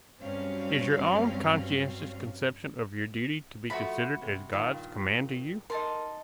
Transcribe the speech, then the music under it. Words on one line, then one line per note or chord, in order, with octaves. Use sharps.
Is your own conscientious conception of your duty to be considered as God's command to you?
G2 F#3 G3 C4 C#4 F5
F3 A3 F#4 A#5 B5
C3
G2 A#2 D#3
D#4 A#4 A5 C6